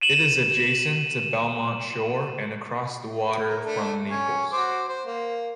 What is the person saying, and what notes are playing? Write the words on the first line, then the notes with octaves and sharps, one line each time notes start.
It is adjacent to Belmont Shore and across the water from Naples.
D#7 E7 F#7
A#4
A3 D4
C#4 C#5
F#4 C5 D6
C5
A#3